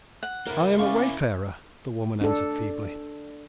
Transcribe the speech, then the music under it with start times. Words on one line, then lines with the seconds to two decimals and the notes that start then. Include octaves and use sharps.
"I am a wayfarer," the woman answered feebly.
0.23 F#5
0.47 A#3 E4 A#4
0.79 C#4 D5 F5 C#6
2.21 D4 A4